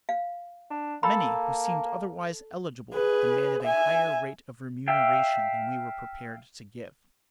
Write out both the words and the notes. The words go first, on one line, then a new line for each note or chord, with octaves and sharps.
Many, who seemed otherwise eligible, demanded a higher rate of remuneration than we were prepared to give.
F5
D4
A#3 A4 B5
G#4 B4
E5 G#5
E5 F5 G5